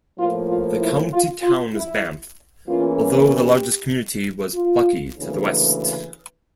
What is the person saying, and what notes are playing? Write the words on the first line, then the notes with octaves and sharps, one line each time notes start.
The county town was Banff although the largest community was Buckie to the west.
A2 F3 A#3 F4
F4
E4
F4
F4
E4
E2 E3 A#3 C#4 F4
G4
F4
D2 C#3 E3 A#3